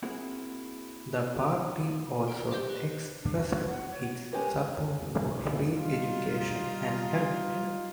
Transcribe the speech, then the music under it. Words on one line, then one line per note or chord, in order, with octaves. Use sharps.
The Party also expressed its support for free education and health care.
A#3 C4 E4 F#4 G#4 A#4
A#4 G5 D7
G4 C5 D5 D#5 G6 G7
G4 B4
D4
F#4
B4
F#5
C#5
G#3 C#4 G4 A#4 B4
G3 D#4 F4